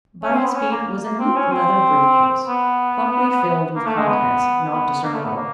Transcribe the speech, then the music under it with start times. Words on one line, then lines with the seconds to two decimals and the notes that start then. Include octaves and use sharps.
By his feet was a neat leather brief-case, plumply filled with contents not discernible.
0.23 C#4
0.35 C4
0.45 B3
0.55 C#4
0.72 A#3
1.04 A#3
1.19 C4
1.36 C#4
1.52 C4
2.48 B3
3.76 A#3
3.86 A3
3.96 G#3
4.08 B3
4.71 B3
5.04 A#3
5.14 A3
5.25 B3
5.36 A#3